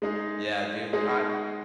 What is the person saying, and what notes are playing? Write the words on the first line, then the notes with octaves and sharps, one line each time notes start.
Yeah, dude, I
G#3 D#4 G#4
G#3 D#4 G#4